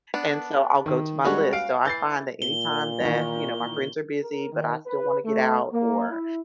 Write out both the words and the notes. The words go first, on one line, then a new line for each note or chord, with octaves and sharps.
and, so, I'll go to my list. So I find that anytime that, you know, my friends are busy, but I still wanna get out, or
B3 D4
D#3
G3 G#3 C#4 F#4 B4
F5 D7
E3 G6 A6 C7
A#2 G7
D#3 E3
A#4
D#3
B4
A3
A#3
E4